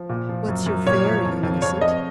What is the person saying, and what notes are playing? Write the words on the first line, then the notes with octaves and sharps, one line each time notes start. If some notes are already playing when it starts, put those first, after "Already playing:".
"What's your fare, young innocent?"
Already playing: F3
A#2
F3
F#2
F#2
A#2 C#5
F3
F2
F2
F2 C#5
F2 D#5